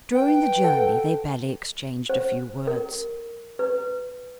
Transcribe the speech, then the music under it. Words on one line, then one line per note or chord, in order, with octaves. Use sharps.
During the journey, they barely exchanged a few words.
B4 G5
A4 F#5
C5
A#4
B4